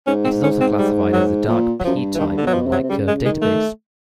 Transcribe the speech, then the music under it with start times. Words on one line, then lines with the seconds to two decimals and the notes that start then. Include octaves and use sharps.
It is also classified as a dark P-type in the "Lightcurve Data Base".
0.07 G#2 C#4
0.25 C4
0.43 C#4
0.61 C4
0.78 G3
1.13 F#3
1.48 A#2 F3
1.80 F#3
1.84 F#2 F3
1.95 G2
2.15 E3
2.19 G2 D#3
2.37 D3
2.43 B2 F#3
2.54 F3
2.67 C3 F#3
2.83 C3
2.89 C#3 G3
3.07 G#3
3.25 D#3 G#3
3.42 A3